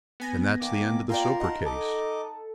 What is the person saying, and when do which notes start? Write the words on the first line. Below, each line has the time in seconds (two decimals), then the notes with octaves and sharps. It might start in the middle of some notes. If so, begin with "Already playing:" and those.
Then that's the end of the Soper case.
0.20 B3 G#5 A#6
0.60 D#3 A#3 D6
1.09 A#3 F4 A#4 D5 G5 G#5 A#5 C6
1.40 D#4 F#5 A5
1.65 A4 D#5 D6